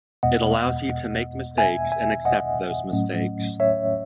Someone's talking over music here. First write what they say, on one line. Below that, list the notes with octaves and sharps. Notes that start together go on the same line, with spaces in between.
It allows you to make mistakes and accept those mistakes.
E2 B2 G#3 B3 D#5 F#5
E5 G#5
E5 G#5
D#5 F#5
A2 F#3 A3 C#4
C#5 E5